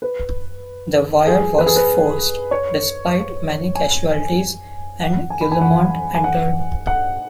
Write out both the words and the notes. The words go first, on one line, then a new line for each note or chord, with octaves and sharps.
The wire was forced, despite many casualties and Guillemont entered.
B4
G#4
B4
G#4
B4
C#5
G#5
F#5
G#5
B5
G#5
F#5
G#5
F#5
F#5